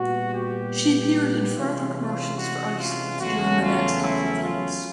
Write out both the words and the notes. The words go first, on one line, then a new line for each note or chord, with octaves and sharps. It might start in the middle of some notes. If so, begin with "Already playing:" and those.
She appeared in further commercials for Iceland during the next couple of years.
Already playing: A#2 G3 B3 F#4
G4
C3 E3 G#3 C#4 F4
F4
F#4
F4
E2 C#3 F#3 A3 C#4 F#4
F4
E4
F4